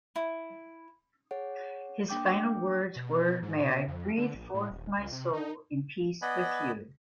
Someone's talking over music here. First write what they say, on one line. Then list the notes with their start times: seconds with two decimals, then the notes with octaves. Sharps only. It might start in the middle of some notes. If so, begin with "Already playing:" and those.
His final words were: "May I breathe forth my soul in peace with you".
0.16 E4
1.31 G#4 C#5 F#5
2.09 A#3 D4 G5 D6 G6
2.96 B2
3.42 G#2
3.63 B2
3.88 F2
4.17 D3
4.35 A#1
4.54 A2
4.71 D#1
4.98 C#2
5.12 C3
5.33 D#4
6.22 B3 D5 D#5 F#5 G#5 B5